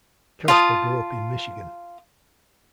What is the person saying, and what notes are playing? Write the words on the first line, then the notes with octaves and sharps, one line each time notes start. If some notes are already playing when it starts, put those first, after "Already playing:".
Kasper grew up in Michigan.
F4 A5 D#6